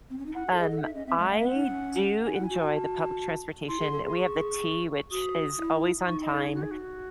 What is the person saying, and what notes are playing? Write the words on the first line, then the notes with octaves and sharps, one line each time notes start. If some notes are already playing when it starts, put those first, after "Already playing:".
um, I do enjoy the public transportation, we have the T, which is always on time,
C4
C#4
D#4
E4 F#5
F#4
A4
G#4 D#5
A4
F#5
D#4 E5
C#4 D#5
C4 E5
G#3 E5
A3 F#5
E5
C4 F#5
D#4
C#4
D#4 G#5
E4 F#5
G#5
F#4
F#4
G#5
A5
E4 C6
G#4
A4
G#4 C6
C#6
F#4 D#6
E4
D#4 C#6
D#5
A4
G#4
F#4
G#4
F#4